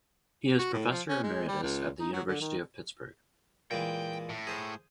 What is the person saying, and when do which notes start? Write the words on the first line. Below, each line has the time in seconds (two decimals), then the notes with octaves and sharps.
He is Professor Emeritus at the University of Pittsburgh.
0.59 F#4
0.73 A2
0.91 F3
1.08 C#4
1.23 G#3
1.48 G3
1.63 C#2
2.00 D#4
2.13 F#3
2.28 D3
2.41 D#3
3.71 A#2 E3 G#3 G5
4.29 A2
4.47 G#4 C5